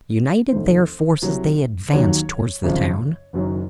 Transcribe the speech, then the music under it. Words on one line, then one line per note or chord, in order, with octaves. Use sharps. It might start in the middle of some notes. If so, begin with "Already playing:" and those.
Uniting their forces they advanced towards the town.
F1 D#2 D#3 C5
C2 C3 F#3
D#2 D#3 F#3 C#5
G#1 F#2 C#3 F3
F#1 F#2 D#3 F#3